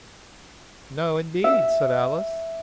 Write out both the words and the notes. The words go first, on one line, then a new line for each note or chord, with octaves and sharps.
'No, indeed,' said Alice.
E5